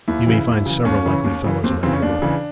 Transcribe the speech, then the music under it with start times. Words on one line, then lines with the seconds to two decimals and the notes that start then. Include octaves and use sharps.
You may find several likely fellows in that neighbourhood.'
0.08 D#2 E4
0.27 C#3 E3
0.47 D#2
0.66 C#3 E3
0.85 D#2 C#4
1.06 C#3 E3
1.24 D#2
1.44 C#3 E3
1.64 D#2 C4
1.83 C#3 E3 C4
1.93 C#4
2.02 D#2 D4
2.22 C#3 E3